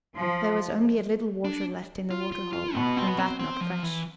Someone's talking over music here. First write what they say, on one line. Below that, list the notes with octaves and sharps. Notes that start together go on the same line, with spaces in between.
There was only a little water left in the water-hole, and that not fresh.
F3
D4
F4
F4
F4
B2 B3
C4
B3
C4
C4
F3
E3